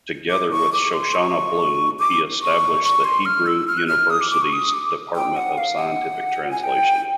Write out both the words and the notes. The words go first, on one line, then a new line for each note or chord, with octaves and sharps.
Together with Shoshana Bloom, he established the Hebrew University's Department of Scientific Translation.
D6
C#6
D6
C6
C#6
D6
C#6
C#6
C6
F6
E6
F6
F#6
F6
D#6
D6
D6
C#6
D#6
D6
G5
F#5
F5
F#5
G#5
G5